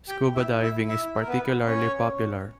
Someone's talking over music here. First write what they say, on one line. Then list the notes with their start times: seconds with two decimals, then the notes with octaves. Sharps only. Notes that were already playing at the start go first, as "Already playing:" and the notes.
Scuba diving is particularly popular.
0.09 G4 G5
0.35 E4 E5
0.62 E4 E5
0.88 E4 E5
1.20 A#4
1.27 B3 B4
1.68 C#4 C#5